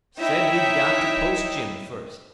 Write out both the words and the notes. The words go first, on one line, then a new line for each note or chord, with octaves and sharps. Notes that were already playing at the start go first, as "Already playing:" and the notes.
Said we'd got to post Jim first.
D#4 E4 C#5 E5 G5